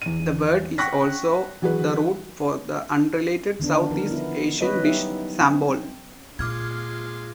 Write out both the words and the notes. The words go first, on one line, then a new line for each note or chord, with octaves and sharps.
This word is also the root for the unrelated South East Asian dish sambol.
E2 D#7
F#5 G5 C#6 F#6 A#6 B6
E3 F#3 F#4 G#4 B4
D3 D#3 B3 D4
F3 D#4 A#4
B3 E4
G3 B3 C#4 B4 C#5 D#5
F#3 B3 D#4 E4 G4 E5
C4
A#2 G#3 F4 D6 F6 G#6